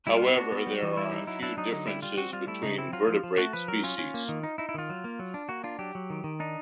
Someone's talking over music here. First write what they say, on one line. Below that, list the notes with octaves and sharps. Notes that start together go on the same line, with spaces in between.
However, there are a few differences between vertebrate species.
G3 E4
F4
B3 E4
D4 F#4
B3
G3
E3
G3 E4
D#4
F#3 E4
D4 E4
F#3 D#4
D3 D#4
G3 E4
G3 F4
C4 F#4
G3 F4
A3 E4
C#3 D#4
C4 E4
F#3 F4
F3
F3
A3 F#4
F3 B4
F#3 A#4
C#4 F4
C#4
A#3
D#3
D#4
D#4 E4
E4
D#3 F4
F#3
A#3
F#3
D4
A#3 F#4
D4 F4
F#3 G4
F#3
D#3
D#3
D4 D#4